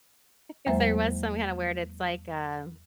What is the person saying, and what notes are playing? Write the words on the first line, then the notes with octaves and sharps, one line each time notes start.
'cause there was some kinda word, it's like, uh
E2 F#3 G#3 A#3 C5 E5